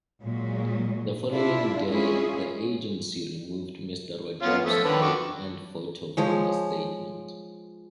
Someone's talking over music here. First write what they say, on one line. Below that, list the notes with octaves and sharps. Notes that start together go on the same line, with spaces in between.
The following day the agency removed Mr. Rajab's name and photo from the statement.
A#2 F#3 G#3 A#3
D4 E4 F4
G#3 C#4 E4 F4 G#4
B3 C#4 F4
F3 A3 C#4
D3 D#3 B4
F#4 C#6 D6
F3 G#3 C#5